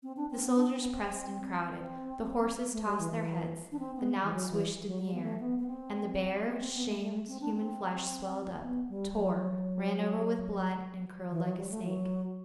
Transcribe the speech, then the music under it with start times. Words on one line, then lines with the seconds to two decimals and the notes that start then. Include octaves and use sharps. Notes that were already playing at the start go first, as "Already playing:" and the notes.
The soldiers pressed and crowded, the horses tossed their heads, the knout swished in the air, and the bare, shamed human flesh swelled up, tore, ran over with blood, and curled like a snake.
0.03 C4
0.17 D4
0.30 C4
0.44 B3
0.56 D4
0.69 C4
0.80 B3
0.91 C4
1.65 C4
2.72 A3
2.85 G3
2.98 E3
3.12 E3
3.72 D4
3.79 C4
3.97 B3
4.22 E3
4.33 F#3
4.51 E3
4.86 F#3
5.05 G3
5.14 B3
5.22 A3
5.40 B3
5.59 B3
5.67 C4
6.48 C4
6.61 C4
6.74 B3
6.87 A3
7.01 A3
7.28 C4
7.41 D4
7.55 C4
8.62 B3
8.89 G3
9.16 F#3
11.31 E3
11.45 F#3
11.58 G3
11.71 A3
11.84 F#3